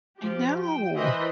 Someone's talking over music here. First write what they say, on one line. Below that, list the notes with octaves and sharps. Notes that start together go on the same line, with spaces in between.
I know.
F3 G4
G5
E3 A#4 C5 D#5 B5